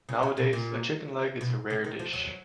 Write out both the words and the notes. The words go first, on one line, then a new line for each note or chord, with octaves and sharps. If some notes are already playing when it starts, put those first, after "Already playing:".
Nowadays, a chicken leg is a rare dish.
C#3
C#3
B2
A#2
B2
C#3
D#3
F3
F#3